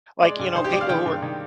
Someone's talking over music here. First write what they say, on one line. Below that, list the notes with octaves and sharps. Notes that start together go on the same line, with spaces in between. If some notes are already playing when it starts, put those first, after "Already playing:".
like, you know, people who are
G#3 D5
G2
D#3 C5
G4
G#3 D5
F5
D#3 G5
G2
D#3